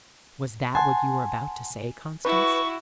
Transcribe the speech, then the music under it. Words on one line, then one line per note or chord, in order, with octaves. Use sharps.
"Was that what you were about to say, Constance?"
F#5 G#5 A5 C6
E4 F#4 B4 C#6